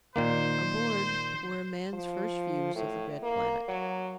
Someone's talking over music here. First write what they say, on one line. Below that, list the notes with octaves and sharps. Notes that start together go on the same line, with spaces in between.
Aboard were man's first views of the red planet.
A#2 D#3 A#3 C5
F3
A2
A#3
F#3